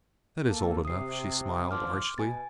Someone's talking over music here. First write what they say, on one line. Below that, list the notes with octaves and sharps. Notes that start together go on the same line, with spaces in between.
"That is old enough," she smiled, archly.
A#3 A4
C3 D#6 C7
A1 D3 F3 C6 D6 F6
B2 G#5 A6